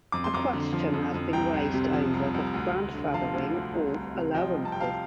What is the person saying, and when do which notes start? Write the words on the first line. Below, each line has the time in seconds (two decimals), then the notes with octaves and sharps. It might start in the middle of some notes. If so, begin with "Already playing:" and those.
A question has been raised over the grandfathering of allowances.
0.12 F2 D6
0.24 C6
0.33 F2 A#5 D6
0.53 D3
0.73 F3
0.93 F2
1.14 F2
1.33 C2 G5 A#5
1.54 C2
1.74 C3
1.93 F3
2.14 C2
2.34 C2
2.54 D2
2.74 D2
2.94 D3
3.13 F3 F5 A5
3.34 D2
3.54 D2
3.74 C2
3.94 C2
4.15 C3
4.34 F3 D#5 G5
4.55 C2
4.65 A5
4.72 C2 G5
4.80 F5 A5